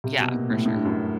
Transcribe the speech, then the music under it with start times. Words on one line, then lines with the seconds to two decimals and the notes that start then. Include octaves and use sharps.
Yeah, for sure.
0.04 C3
0.19 B2
0.34 A#2
0.50 A2
0.65 A2
0.75 G2
0.85 F#2